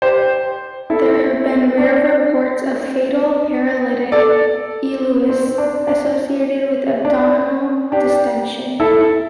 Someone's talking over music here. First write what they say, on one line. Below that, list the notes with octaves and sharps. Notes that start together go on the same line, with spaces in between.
There have been rare reports of fatal paralytic ileus associated with abdominal distention.
G4 C5
E4 A4
D4
A4 D5
C4
D4
D4
D4
D4 G4
E4 A4